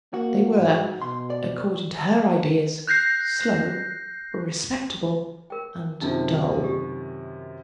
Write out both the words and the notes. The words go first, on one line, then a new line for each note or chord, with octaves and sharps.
They were, according to her ideas, slow, respectable, and dull.
A#3 F#4
G#2
B2 C6
D5
F#6 G6 A#6 C7
A#4 G5
F#2 C3 D#3 D#4 F4
G4